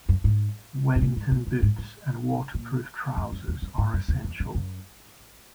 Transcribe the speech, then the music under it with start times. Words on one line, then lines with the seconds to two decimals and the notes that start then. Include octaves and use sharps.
Wellington boots and waterproof trousers are essential.
0.09 F#2
0.24 G#2
0.96 G#2
1.01 A#2
1.17 G#2
1.31 A#2
1.47 F#2
1.62 G#2
1.78 G#2
2.54 A#2
3.17 F#2
3.32 F#2
3.48 E2
3.62 F#2
3.78 G#2
3.94 F#2
4.08 E2
4.24 E2
4.40 F#2
4.55 F#2